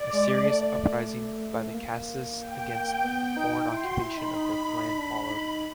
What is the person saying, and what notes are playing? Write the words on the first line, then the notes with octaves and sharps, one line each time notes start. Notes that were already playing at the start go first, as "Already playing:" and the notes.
A serious uprising by the Khasis against foreign occupation of their land followed.
Already playing: D5
G#3
A3
A#3
G5
B3
D#4
E4 C6
F#4
E4 B5
D#4
D#4 B5
D#4
D4
D#4